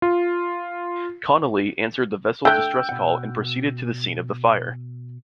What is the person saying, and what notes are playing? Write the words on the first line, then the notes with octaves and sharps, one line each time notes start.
"Conolly" answered the vessel's distress call and proceeded to the scene of the fire.
F4
D3 A3 G5 E6 F#6 G6
B2 F#5